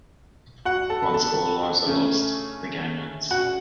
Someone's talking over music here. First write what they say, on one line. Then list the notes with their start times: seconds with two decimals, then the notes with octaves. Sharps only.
Once all lives are lost the game ends.
0.65 F#4 F#5
0.90 A4 A5
1.02 B5
1.14 A4 A5
1.86 C#3 A3 C#4
3.31 F#4 F#5